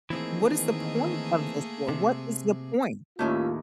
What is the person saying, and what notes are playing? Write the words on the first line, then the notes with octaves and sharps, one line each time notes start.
What is the point of this war, what is the point?
D#3 E3 A3 A#3 C4 G#4
C3
D#2 A2 D#3 A3 C#4 F4 E5